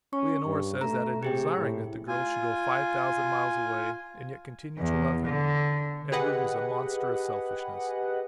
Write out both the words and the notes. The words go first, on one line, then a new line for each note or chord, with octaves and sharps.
Leonora says that, in desiring that the girl should go five thousand miles away and yet continue to love him, Edward was a monster of selfishness.
C#4 C#6
G2
A3 A#5
C3 G4 G#4 G5
A2
F4 G#5
E2
D3
G4 G#4 B4 D#5 F#5